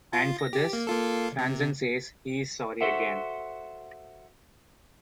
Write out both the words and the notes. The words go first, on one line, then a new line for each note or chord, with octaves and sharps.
And for this, Franzen says he is sorry again.
F4
A#6
G4
A#3
A#3 F4 A4
C3
F#4 A4 C5 E5 F#5